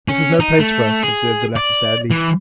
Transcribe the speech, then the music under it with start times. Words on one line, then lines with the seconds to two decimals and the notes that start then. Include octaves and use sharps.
'This is no place for us,' observed the latter sadly.
0.08 C#4
0.40 D#4
0.60 A3
1.03 G#4
1.56 D5
2.11 E3